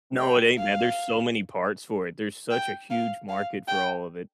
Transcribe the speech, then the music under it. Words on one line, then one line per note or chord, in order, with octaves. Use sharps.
No, it ain't, man. There's so many parts for it. There's such a huge market for all of it.
G5
F5
G5
F5
F5
G5